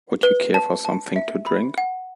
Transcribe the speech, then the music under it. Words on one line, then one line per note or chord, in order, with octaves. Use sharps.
Would you care for something to drink?
B4
A5
A5
E5
B5
F#5